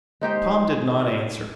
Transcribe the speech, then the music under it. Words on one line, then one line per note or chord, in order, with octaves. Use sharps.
Tom did not answer.
G#3 D#4 G4 C5